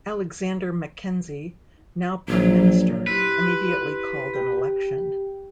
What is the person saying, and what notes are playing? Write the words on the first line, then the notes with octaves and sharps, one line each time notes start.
Alexander Mackenzie, now Prime Minister, immediately called an election.
A#1 F#3
E4 G4 B4 C6
G4 G5